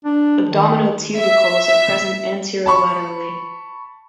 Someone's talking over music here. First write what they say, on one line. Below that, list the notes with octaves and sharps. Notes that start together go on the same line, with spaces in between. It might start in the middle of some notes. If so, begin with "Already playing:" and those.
Abdominal tubercles are present anterolaterally.
D4
D#3
E5
A5 B5 C#6